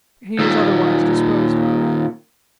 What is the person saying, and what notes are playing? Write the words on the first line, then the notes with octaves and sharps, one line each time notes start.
He is otherwise disposed of.'
D#2 A#2